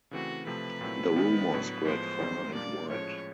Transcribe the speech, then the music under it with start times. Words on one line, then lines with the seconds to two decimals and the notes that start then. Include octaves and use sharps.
The rumour spread far and wide.
0.11 C#3 E3 A3 C4 F#4
0.47 C3 F3 A3 C4 B4
0.81 A#2 F#3 A3 C4 E4
1.16 D#3 G3 B3 E4
1.51 A2 F#3 B3 D4
1.85 A2 F3 G#3 B3 C5
2.19 F#2 D#3 G3 C4 D#4
2.54 A#2 G3 A#3 D4 D5
2.89 A2 F3 G#3 C#4 C#5